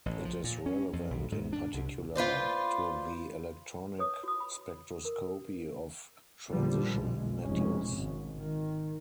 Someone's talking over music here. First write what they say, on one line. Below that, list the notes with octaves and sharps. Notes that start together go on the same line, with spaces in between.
It is relevant, in particular, to the electronic spectroscopy of transition metals.
A1
F3
A#2
C#4
F2
B1
G#2
D4
C2
F4 B4 C5 D5
B4 C#5 D#6
F#4 D#6
B5
A#4
A#2 D3 F3 G3 A#3
B1 G#3
F1 G#3 C#4
G#1
D#3